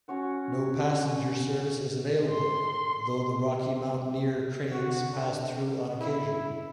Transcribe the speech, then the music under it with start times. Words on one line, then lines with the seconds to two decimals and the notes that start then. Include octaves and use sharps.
No passenger service is available, though the Rocky Mountaineer trains pass through on occasion.
0.08 C#4 F#4 C#5 F#5
2.31 C6
4.72 F#4
5.12 D3
5.60 C3
6.00 E4